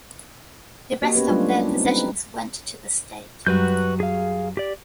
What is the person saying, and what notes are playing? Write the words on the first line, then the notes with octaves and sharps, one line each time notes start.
The rest of their possessions went to the state.
A#3 F#4 G4 C#5 D#5
B3 C#4 G4 B4
F#3 G3 A3 C#4 D4 F4
D4 F4
C4 D#4
C4 D4 D#4 B4
F#2 F#3 G3 F#4 B4 G6
G#4 F5
G4 D5